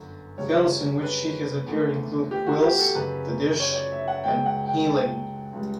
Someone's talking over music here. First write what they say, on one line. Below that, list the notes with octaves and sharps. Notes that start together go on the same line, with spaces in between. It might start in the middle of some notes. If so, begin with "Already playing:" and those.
Films in which she has appeared include "Quills", "The Dish" and "Healing".
Already playing: G1 F#2 D3
F#2 C#3 G3 C#5
B4
E2 D3 A3
G4
F#4
G4
A4
F#2 C#3 F#3 B4
C#5
C#5
D5
E5
F#5
C#2 C#3 F#3 G5
F#5
G5
A5
C#2 C#3 G3